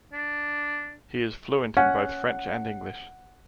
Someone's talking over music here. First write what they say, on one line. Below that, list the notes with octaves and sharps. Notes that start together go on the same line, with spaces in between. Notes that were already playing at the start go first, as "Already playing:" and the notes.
He is fluent in both French and English.
D4
C#4 F#5